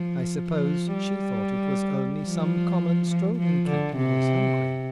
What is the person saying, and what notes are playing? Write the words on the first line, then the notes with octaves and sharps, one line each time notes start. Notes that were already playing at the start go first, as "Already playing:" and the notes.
I suppose she thought it was only some common strolling cat who was hungry.
Already playing: F3
F3
G3
F3
F3
F3
D3
C3